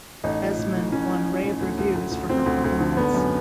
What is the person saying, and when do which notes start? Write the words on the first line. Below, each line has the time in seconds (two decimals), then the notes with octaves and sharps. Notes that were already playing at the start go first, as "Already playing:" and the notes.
Esmond won rave reviews for her performance.
0.24 A1 D#4
0.41 F3
0.58 A2
0.75 A2
0.92 A2 C#4
1.09 F3
1.26 F3
1.43 A2
1.61 D2
1.78 D2
1.95 D2
2.11 D2
2.29 D2 C4
2.46 D2
2.64 D2
2.80 D3
2.97 G#1 B3
3.14 F#2